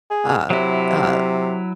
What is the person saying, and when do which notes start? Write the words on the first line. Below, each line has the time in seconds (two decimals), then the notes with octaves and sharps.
uh uh
0.10 G#4
0.50 C3 F#3 E4